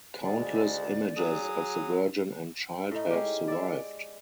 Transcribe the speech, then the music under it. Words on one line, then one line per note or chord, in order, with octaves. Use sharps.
Countless images of the virgin and child have survived.
D2 G#3 D5
F#3 G#4 D#6
A2 D#4
G#3 C#4 G4
D5 E5